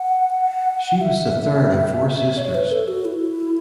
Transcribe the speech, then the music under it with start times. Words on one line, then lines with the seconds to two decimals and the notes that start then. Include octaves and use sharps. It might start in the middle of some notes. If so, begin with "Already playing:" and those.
She was the third of four sisters.
Already playing: F#5
1.01 E5
2.37 C#5
2.55 B4
2.71 A4
2.88 F#4
3.05 E4